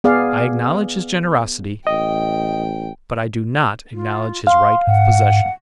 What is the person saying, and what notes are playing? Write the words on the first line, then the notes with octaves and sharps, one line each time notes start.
I acknowledge his generosity, but I do not acknowledge his right of possession.
B3 G#4 D5 F5
A1 D#5 G5
F4
F5 C6
G#2 F#5